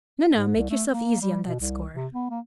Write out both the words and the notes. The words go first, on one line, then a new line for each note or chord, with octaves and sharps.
"No, no, make yourself easy on that score."
G#2
C2
A3
A#3
G3
B2
C2
C3
B3
A#3